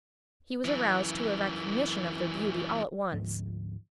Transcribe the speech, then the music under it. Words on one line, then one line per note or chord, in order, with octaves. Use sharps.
He was aroused to a recognition of their beauty all at once.
F#2 E3
D2 G#2 F3